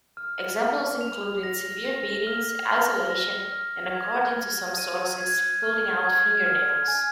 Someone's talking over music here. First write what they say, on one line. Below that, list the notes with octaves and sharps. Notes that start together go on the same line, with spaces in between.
Examples included severe beatings, isolation and, according to some sources, pulling out fingernails.
F6
F6
F7
A#6
A#6
F6
F6
A#6
F6
G#6
G#6
D#7
G#6
F6
G#6
F6
G#5